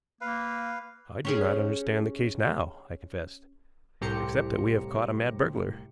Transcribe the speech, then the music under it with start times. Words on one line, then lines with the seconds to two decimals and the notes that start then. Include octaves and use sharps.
"I do not understand the case now," I confessed, "except that we have caught a mad burglar."
0.21 A#3 B4 F5
1.25 C#4 G4 G#4
4.01 C2 A2 G4 C5 A#5 C#7